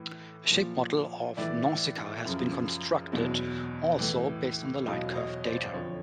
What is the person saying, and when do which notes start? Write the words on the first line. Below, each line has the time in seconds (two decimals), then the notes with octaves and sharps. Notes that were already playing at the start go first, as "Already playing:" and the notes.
A shape model of Nausikaa has been constructed, also based on the lightcurve data.
Already playing: A2 E3
0.50 A#2 F3
1.37 A2 E3 D5 E5
2.25 F#2 C#3 F3
3.12 E2 B2 F#3
3.99 A2 E3
4.86 E2 B2 F#3 D#5 F5
5.15 C#5 D#5
5.44 C5 D5
5.73 F2 D3 F3 C#5